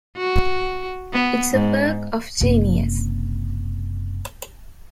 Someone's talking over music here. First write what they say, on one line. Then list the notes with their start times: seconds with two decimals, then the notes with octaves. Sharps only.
It's a work of genius.
0.17 F#4
1.13 B3
1.52 G#2
2.41 F#1 C3